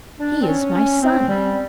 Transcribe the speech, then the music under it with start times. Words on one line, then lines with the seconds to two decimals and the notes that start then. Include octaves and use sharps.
He is my son.
0.19 D4
0.42 C4
0.47 C#4
0.75 C#4
1.01 C4
1.28 G3